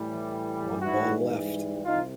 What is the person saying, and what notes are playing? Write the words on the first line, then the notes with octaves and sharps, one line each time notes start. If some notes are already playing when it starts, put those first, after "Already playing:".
One ball left.
Already playing: A2 E3 G3
G#2 E3 G3 E4 F#4
C2 C3 D#4 F4